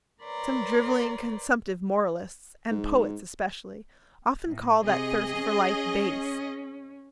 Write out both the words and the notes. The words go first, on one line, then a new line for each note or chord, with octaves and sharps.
Some driveling consumptive moralists--and poets especially--often call that thirst for life base.
A#4 B4 C#5 D5 A#5 C6
G#2
A2
C3 G#4 D#5
C#4